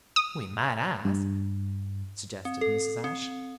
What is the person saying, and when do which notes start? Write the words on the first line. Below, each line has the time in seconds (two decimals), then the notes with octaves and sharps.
"We might ask," suggested Mrs. Ashe.
0.16 D#6
1.05 G2
2.45 C4
2.61 A4
3.04 C4